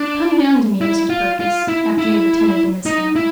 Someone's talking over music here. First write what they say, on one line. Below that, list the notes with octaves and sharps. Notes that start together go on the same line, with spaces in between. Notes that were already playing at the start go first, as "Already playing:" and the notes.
'Come down to me, Mrs. Purkis, after you have attended to Miss Hale.
Already playing: D4
E4
F4
F4
E4
E4
D#4
E4